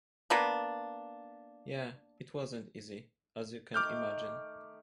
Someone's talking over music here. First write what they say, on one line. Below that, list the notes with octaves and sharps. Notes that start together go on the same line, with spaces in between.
Yeah - it wasn't easy, as you can imagine.
A#3 B3 D4
D#3 A3 D6 F6 G6